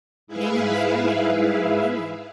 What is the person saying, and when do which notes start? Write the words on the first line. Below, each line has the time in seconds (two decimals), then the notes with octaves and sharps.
It ain't interfering to have your own opinion.
0.27 G#2 E4 G#4 B4 E5 F5